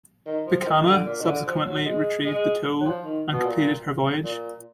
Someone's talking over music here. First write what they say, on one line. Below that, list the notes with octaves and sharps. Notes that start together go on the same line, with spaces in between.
"Pakana" subsequently retrieved the tow and completed her voyage.
D#3
F3
F3
D#3
D3
A#2
D#3
D3
F3
F#3
G#3
G#3
F#3
F3
D#3
B2
A#2
A#2